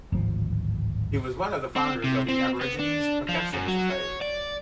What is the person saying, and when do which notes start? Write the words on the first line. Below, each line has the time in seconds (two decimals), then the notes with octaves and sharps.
He was one of the founders of the Aborigines' Protection Society.
0.12 D1 G#1 F3
1.76 C4
2.04 C3
2.29 C4
2.62 B3
2.80 D4
3.29 F3
3.53 F#2
3.68 F#3
3.90 C#5
4.21 D5